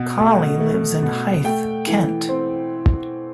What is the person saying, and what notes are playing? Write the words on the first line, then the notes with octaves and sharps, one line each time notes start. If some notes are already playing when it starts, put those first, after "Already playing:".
Colley lives in Hythe, Kent.
Already playing: B2
A3
A3
B2
A3 G5
E3
C4